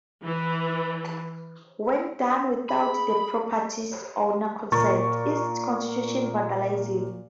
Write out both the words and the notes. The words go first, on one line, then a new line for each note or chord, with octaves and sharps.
When done without the property owner's consent, it constitutes vandalism.
E3
G#4 B5
A#2 A#4 C#6 A6